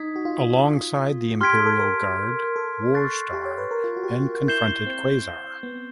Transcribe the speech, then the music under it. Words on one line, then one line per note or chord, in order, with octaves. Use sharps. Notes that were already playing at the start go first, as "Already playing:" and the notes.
Alongside the Imperial Guard, Warstar then confronted Quasar.
Already playing: D#4 D#6 G#6 B6
F#4
F4
G4 C6 F6 G#6 B6 D7
A4
A4
A#4
A4
C#6 F#6 A6 C7
G4
C#5
B4
A#4
F4
F#4
G4
F#4
F4
F#4
E4 G6 C7 E7 G7
C4
B3